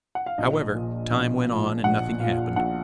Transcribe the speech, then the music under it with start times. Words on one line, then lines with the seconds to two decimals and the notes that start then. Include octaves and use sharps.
However, time went on and nothing happened.
0.15 F#5
0.26 F5
0.38 A#1 D#5
0.74 A#2 F3
1.11 A#1
1.47 A#2 F3
1.84 A#1 F#5
2.20 A#2 F3 F5
2.56 A#1 F#5